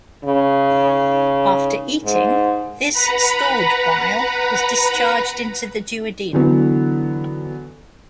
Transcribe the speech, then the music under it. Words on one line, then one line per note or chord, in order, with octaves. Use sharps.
After eating, this stored bile is discharged into the duodenum.
C#3
G#2
B4 F#5 A#5 B5
D3 E3 F#3 B3